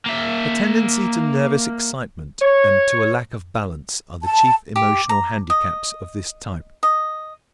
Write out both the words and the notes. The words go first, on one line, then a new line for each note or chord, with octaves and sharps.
A tendency to nervous excitement and to a lack of balance are the chief emotional handicaps of this type.
A#3 E5
C#5
A5
G4
A#5
D#5
D#5